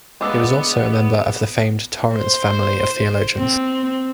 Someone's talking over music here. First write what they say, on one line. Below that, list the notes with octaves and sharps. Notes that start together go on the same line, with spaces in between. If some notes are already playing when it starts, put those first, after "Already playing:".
He was also a member of the famed Torrance family of theologians.
G#3 B3 D4 F5 D6 E6
C5
C4